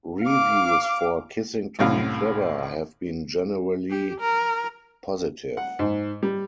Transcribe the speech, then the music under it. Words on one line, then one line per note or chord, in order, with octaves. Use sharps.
Reviews for "Kissing to Be Clever" have been generally positive.
F5 D6
C2 F#2 A2 F5
G4
A#4
F#5
G#2
G3